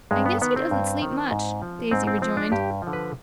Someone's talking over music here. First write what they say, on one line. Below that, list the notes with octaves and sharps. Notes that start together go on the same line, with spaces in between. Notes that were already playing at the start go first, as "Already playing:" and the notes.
"I guess he doesn't sleep much," Daisy rejoined.
G2 G#3
B3
D#3 B3
C4
G2
D#3
G#2
F3
G#2 C4
C4
F3 C4
D4
G2 G4
F3
D3
B4